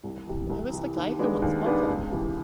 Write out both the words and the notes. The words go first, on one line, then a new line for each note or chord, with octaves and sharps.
Who is the guy who wants popcorn?
C2
C3 E3
C2
C3 E3
D#2
D#3 G#3 B3 D4
D#2
D#3 G#3 B3 D4
C#2
C3 E3